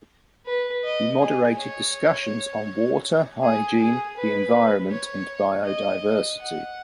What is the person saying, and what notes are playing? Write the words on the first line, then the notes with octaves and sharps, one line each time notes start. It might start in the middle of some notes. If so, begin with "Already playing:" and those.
He moderated discussions on water, hygiene, the environment and biodiversity.
B4
D#5
G#4
C#5
G#4
G#4
B4
C#5
D#5
F#5